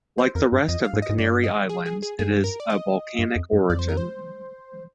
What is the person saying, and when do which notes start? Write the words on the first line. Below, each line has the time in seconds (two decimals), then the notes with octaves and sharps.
Like the rest of the Canary Islands, it is of volcanic origin.
0.18 C5
0.35 F2 A#4
0.52 G2
0.68 F2 D#5
0.85 F5
0.93 G#2
1.02 D#5
1.09 G#2
1.18 G2 D5
1.44 D#5
1.69 G#4
1.86 G#4
2.02 G#4
2.19 G2 G#4
2.44 A#4
2.60 D5
2.70 D#5
3.19 G2
3.36 F2
3.53 G2
3.70 F2 D5
3.79 C5
3.89 A#4
3.97 C5